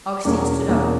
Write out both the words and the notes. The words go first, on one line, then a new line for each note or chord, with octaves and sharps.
Augustine stood up.
E2 B2 A#3 C#4
E2 B2 A#3 C#4